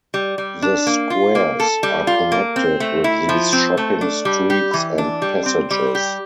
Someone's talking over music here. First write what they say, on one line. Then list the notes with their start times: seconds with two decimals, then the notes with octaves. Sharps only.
The squares are connected with these shopping streets and passages.
0.14 G3
0.38 G3
0.62 D4
0.87 A#3
1.10 F4
1.35 A#3
1.60 A4
1.83 G3
2.07 F4
2.32 A#3
2.56 C4
2.80 A3
3.04 E4
3.29 F3
3.53 C4
3.77 A3
4.01 D4
4.25 G3
4.50 G4
4.74 E3
4.98 D4
5.22 G3
5.46 C4
5.70 G3
5.95 G4